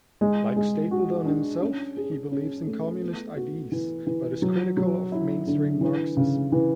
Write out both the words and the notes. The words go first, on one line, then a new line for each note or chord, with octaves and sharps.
Like Stapledon himself, he believes in communist ideas but is critical of mainstream Marxism.
G#3
G#3
F#4
D4
C#4
G#4
C#4
A3
B3
F#4
E3
E3
F#3
F#3
E4
D3
E3
C#3
E3